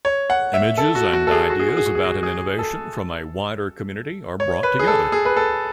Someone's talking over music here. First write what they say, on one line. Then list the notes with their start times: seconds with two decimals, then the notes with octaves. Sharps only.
Images and ideas about an innovation from a wider community are brought together.
0.05 C#5
0.30 F#5
0.54 E5
0.78 A4
0.95 F#4
1.13 F#4
1.27 A4
1.31 G#4
1.50 F#4
1.60 G#4
1.69 F#4
1.77 G#4
1.86 F#4
1.95 G#4
2.05 F#4
2.23 G#4
2.59 A4
4.40 C#5
4.63 B4
4.79 G#4
4.87 A4
5.12 G#4
5.25 B4
5.36 A4